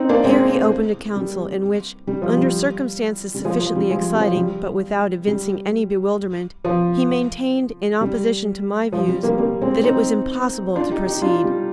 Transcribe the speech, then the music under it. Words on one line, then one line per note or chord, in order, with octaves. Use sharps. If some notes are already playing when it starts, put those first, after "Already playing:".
Here he opened a council in which, under circumstances sufficiently exciting but without evincing any bewilderment, he maintained, in opposition to my views, that it was impossible to proceed.
Already playing: C4 D#4
A#3 D4
G#3 C4
G3
G3
F3
G3
G3
F3 G#3
F3
G3
F3 G#3
G3
F3
G3
G3
F3
G3
F3
G3
G3 A#3
G3 A#3
G#3 C4
C4 D#4
D4 F4
D#4 G4
D#4 G4
D4 F4
G3